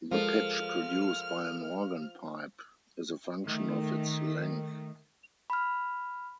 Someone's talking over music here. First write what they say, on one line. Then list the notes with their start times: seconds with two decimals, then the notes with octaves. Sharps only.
The pitch produced by an organ pipe is a function of its length.
0.11 F3 G#3 A4 A#4 F5 F6
3.43 D#3 A3
5.50 B5 F6